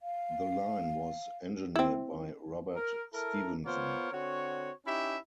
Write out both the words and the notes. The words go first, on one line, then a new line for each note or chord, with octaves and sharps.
The line was engineered by Robert Stephenson.
F5
C4 E4
A#4
E4 A4 A#4
B3 F4 A#4 C5 C#5
D3 C4 F#4 C#5
C#4 D#4 E4 G4 E5